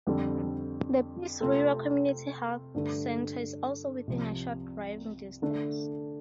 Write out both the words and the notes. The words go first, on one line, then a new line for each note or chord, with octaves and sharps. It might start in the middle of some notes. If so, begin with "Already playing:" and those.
The Peace River Community Health Centre is also within a short driving distance.
F2 D3 G3 C4 A4
C3 A3 C4 F4 A4
G2 D3 A3
C2 C3 F3
D3 A3 D4 A4